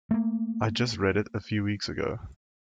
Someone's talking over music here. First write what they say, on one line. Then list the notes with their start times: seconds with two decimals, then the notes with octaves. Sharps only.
I just read it a few weeks ago.
0.11 A3 A#3